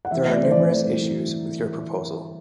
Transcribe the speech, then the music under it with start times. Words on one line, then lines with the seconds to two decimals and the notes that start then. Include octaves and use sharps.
There are numerous issues with your proposal.
0.05 F#5
0.11 E3 E5
0.25 A3 E5
0.32 D5
0.41 C4 C5
0.51 E3 D5
0.70 A3 D5
0.86 E3
1.01 E3